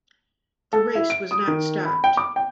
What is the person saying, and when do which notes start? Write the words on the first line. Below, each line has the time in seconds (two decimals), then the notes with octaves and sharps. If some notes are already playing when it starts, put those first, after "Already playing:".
The race was not stopped.
0.73 A4
0.95 E4
1.10 D7
1.31 D#6
1.47 D#3
1.85 B5
2.04 G5
2.17 D6
2.36 G5